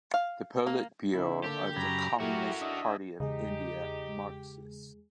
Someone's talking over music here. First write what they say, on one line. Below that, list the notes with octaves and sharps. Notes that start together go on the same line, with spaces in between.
The Polit Bureau of the Communist Party of India Marxist.
F5
A#3
C#3 D#4 E4
D3 A#3 G4 A4 F5
F#2 C#3 A#5 B5 G#6
F#3 E4 F#4 G4 A4 A#4
D4 D#5 E5
E2 C#3 G#3 D#4 G4 G#4